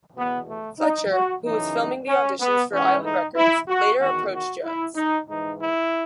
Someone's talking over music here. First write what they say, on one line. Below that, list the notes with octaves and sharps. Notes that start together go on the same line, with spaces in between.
Fletcher, who was filming the auditions for Island Records, later approached Jones.
E2 B2 B3
A3
D#4
F#4
F#2 C#3 E3 D#4
C#4
B3
G#2 E3 C#4
D#4
E4
F#4
E2 D#3 F#4
F#4
E4
D#4
G#2 E3 D#4
E4